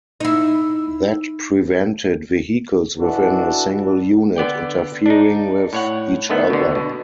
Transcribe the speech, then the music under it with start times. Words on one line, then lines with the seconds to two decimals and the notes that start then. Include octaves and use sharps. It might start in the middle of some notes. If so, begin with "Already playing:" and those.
That prevented vehicles within a single unit interfering with each other.
0.20 D#4 E4
3.00 B2 E3 D4 F#4 A4
4.36 D3 B3 D5 G5
5.06 D4 D#4
5.73 A2 C#5 F#5
6.30 D3 D#3 A3 B3
6.50 B2 D3
6.75 B2